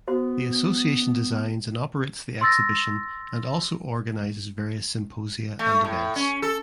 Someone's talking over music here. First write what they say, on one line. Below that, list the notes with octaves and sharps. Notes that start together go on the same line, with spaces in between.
The association designs and operates the exhibition and also organizes various symposia and events.
B3 F#4 C5
C6 E6 A6 A#6
A3
A2
C#4
A4